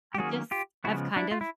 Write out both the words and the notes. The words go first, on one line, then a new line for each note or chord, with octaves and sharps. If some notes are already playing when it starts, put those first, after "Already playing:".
I just I've kind of
G4
D#3 F#3 A#3 C#4 F#4 G#4
F4 G4
C#3 F3 G#3 B3 E4 F#4
D4 E4
F4
E4